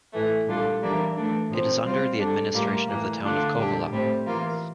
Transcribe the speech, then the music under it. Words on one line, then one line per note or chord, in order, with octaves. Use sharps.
It is under the administration of the town of Kouvola.
A2 E3 A3
A#2 G3 D4 F4 A4
E3 G3 A#3 D4
E3 A3 D4 A4
A#2 F3 C4
G3 C4 F4
G3 D4 A4
A2 G3 A#3 F4
A2 E3 A#3
D3 A3 D4 F4 A4
A#2 G3 D4 G4
A2 G3 C4
E3 A#3 F4